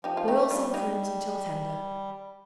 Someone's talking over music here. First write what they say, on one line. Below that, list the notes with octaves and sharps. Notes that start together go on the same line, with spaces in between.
Boil some prunes until tender.
F3 D#4 G4
F4
A3 D#4 G4
G3 D4 F4
D#4 G4